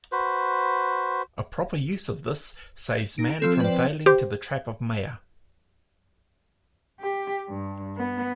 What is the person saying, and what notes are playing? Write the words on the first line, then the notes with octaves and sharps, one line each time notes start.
A proper use of this saves man from failing to the trap of maya.
F#4 B4 C5
D#4 A#6 D7
F3 C4 A4 E7
C4 B4 D5
G4 C5
G4
G2
B3